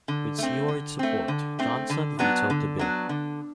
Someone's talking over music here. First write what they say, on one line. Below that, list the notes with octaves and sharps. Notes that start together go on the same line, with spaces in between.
With Seward's support, Johnson vetoed the bill.
D3
A3 C4
D3
A3 C4
D3
A3 C4
D3
F#3 B3 D4
D3
F#3 B3 D4
D3